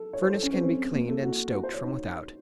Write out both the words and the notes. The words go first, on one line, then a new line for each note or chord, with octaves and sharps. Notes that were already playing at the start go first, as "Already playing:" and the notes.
The furnace can be cleaned and stoked from without.
Already playing: A4
C#5
C5
A4
C#4
C4
C4
A#3
A4
F#4
F#4
C5
C#5
D#4